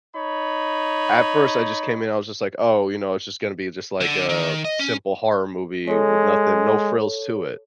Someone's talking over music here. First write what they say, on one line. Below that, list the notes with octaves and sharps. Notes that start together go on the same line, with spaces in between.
at first, I just came in, I was just like, "Oh, you know, it's just gonna be just, like, a simple horror movie with nothing no frills to it."
D#4 C#5 B5
D3
D#3
D#5
C#4
G#3 A4 C#5